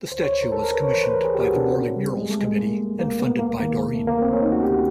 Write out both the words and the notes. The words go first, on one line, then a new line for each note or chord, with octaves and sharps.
The statue was commissioned by the Morley Murals Committee and funded by Doreen.
D2 C5
C#5
C#3 C5
A#4
D2 A4
A#4
D2 B4
C#5
E3 C5
B4
D2 A#4
G#4
D2 G4
F#4
C#3 D4
C#4
B2 C4
C#2 G3
B2 G#3
A3
C#2 G#3
B2 A#3
B2
C#2 A#3
B2 B3
D2 A#3
D#3 A#3
C3
A3
D2
A#3
D2 C4
C#4
D2 D#4
F#4
D2 G4